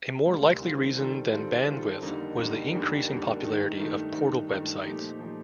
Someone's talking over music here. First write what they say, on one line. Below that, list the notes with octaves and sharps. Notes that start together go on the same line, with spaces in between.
A more likely reason than bandwidth was the increasing popularity of "portal websites".
D2 C3 G3 A#3
D#3 G3 C4 F4 A4
D#3 G3 C4 F4 A4
D#3 G3 C4 F4 A4
D#3 G3 C4 F4 A4
F2 D3 G3 A#3 D#4
F2 D3 G3 A#3 D#4
F2 D3 G3 A#3 D#4
F2 D3 G3 A#3 D#4
G2 D#3 A3 D#4
G2 D#3 A3 D#4
G2 D#3 A3 D#4
G2 D#3 A3 D#4
A#2 F3 A3 D#4 G4
A#2 F3 A3 D#4 G4